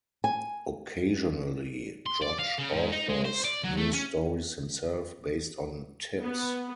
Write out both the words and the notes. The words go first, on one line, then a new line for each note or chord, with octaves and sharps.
Occasionally, Drudge authors new stories himself, based on tips.
G#5
C6
D5
F5
C#3
G#2
D#4
G#3
C5
D5
F#3
A3
C#4
B3